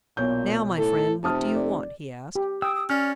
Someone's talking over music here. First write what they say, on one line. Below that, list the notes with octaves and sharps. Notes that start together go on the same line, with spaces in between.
"Now, my friend, what do you want?" he asked.
B1 A#2 C#5 G6
A2 A4
F1 C3 A5 D#6 F6
D5
G4
G5 D#6 E6
D#6
C#4 D5 F6